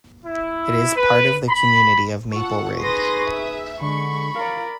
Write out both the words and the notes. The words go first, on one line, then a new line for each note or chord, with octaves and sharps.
It is part of the community of Maple Ridge.
E4
B4
B5
F4 A4 F#5 C#6
D#4 G#4 B4 C6 D#6 A#6
E5
D3 G#3 B5 C#6
A#4 D5 F5